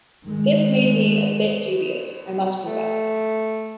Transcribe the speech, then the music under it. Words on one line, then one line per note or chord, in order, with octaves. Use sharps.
This made me a bit dubious, I must confess.
D#3 G#3
A3